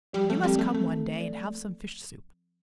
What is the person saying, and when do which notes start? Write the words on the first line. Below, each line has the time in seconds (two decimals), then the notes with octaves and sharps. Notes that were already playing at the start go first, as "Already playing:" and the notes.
You must come one day and have some fish soup.
0.13 F3 G3
0.30 F3 A3
0.44 G3 C4
0.59 A3 C4
0.74 A3 C4
0.90 A4
1.05 F3
1.20 D5